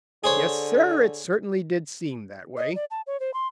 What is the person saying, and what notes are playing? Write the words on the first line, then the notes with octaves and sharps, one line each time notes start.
Yes, Sir, it certainly did seem that way.
D3 G#4 C5 C#5
D#5
D5
A5
C#5
C5
C6